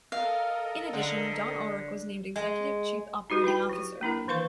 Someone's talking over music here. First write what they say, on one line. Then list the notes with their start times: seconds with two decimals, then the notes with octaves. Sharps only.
In addition, Don Ulrich was named Executive Chief Operating Officer.
0.12 A4 A#4 D#5 F5
0.93 D3
2.36 G#3
3.30 D#4 F#4 G4 B4
3.44 E4 B4 G5 B5
3.69 F#3 G4
4.01 A#3 D4 E4 A#4
4.28 D#3 E3 B4 F5 C6 C#6